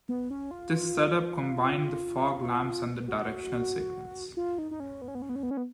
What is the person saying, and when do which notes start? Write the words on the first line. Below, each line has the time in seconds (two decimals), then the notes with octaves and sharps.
This setup combined the fog lamps and the directional signals.
0.09 B3
0.30 C#4
0.51 F4
3.08 F#4
4.37 F4
4.58 D#4
4.71 D#4
4.80 C#4
5.02 B3
5.08 C#4
5.15 B3
5.22 C#4
5.29 B3
5.36 C#4
5.43 B3
5.51 C#4
5.57 B3